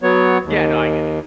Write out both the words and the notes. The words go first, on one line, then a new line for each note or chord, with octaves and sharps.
Yeah, no, I get it.
F#3 B3 C#5
D#2